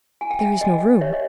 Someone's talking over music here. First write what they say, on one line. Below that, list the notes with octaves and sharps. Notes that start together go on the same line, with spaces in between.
"There is no room."
E4 G#5
G5
E5 G#5
E4 D#5 G5
G4 C#5 E5
D#5